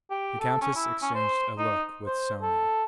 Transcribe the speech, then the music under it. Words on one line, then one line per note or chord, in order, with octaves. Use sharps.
The countess exchanged a look with Sonya.
G4
A4
C#4
E4
C#4
C5
D#4
C5
A4